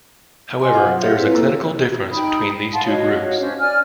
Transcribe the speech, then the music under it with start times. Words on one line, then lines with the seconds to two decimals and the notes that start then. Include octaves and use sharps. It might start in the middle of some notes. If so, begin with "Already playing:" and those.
However, there is a clinical difference between these two groups.
0.60 D#5 G#5 C6
0.73 F4 C5 D#5 F5 F#5
0.86 F#3
1.02 F4 G4 G#4 C#5 E5 F5
1.17 C4 E4 B4
1.32 A#3 A4 E6
2.11 D#4 G5 B5 D#6
2.74 F5 F#5 A5 C6
2.86 F#4 C#5 D#5 F5
3.40 C#4 D4 C5
3.60 D5 G#5 F6